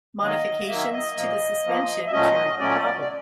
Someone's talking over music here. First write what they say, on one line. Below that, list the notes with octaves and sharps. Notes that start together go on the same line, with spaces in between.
Modifications to the suspension cured the problem.
D#3 F#3 A#3 D#5
D#3 F#3 A#3 E5
D#5
A#2 F3 A#3
A#2 F3 A#3
E5
A#2 F#3 A3 C#4 D#5
A#2 F#3 A3 C#4 D5
D5
D5